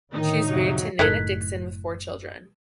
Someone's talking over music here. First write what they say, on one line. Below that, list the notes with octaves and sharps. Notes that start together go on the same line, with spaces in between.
She is married to Nana Dickson with four children.
A2 D3 D#3 D#4
F2 C3 F#3
F#1 A2 D#4 A4 A#4 F#6 G#6 B6